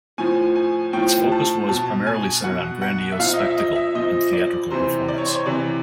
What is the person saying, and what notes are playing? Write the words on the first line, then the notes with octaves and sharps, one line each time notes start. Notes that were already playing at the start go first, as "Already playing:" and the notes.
Its focus was primarily centered on grandiose spectacle in theatrical performance.
A2 F3 G#5
G#5
A2 F3 G5
A5
B2 A5
G#5
B2 F#5
F#5
E5
A#2 F3 F5
D#5
E5
E5
D#5
E5
A#2 F3 D#5
D5
C3 E3 C5
D5
C#5
C5
C#5
C3 E3 D5